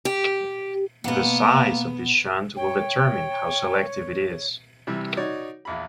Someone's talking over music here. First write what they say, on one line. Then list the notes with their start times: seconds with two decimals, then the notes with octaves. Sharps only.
The size of this shunt will determine how selective it is.
0.05 G4
1.04 B2 A#3 B3 F#5
2.56 C#5 G5
4.87 C3 E3 G3
5.17 D#4 F#4 C#5 D5
5.65 A#1 E2 B5